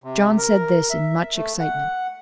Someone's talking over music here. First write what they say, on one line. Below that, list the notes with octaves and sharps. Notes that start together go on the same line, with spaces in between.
John said this in much excitement.
C3
A#4
E5
A3
F#5